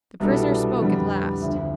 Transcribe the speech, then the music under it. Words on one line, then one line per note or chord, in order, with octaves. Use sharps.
The prisoner spoke at last.
C2 B2 G3 D4 A4
F2 D3 G3 B3
D2 D3 F3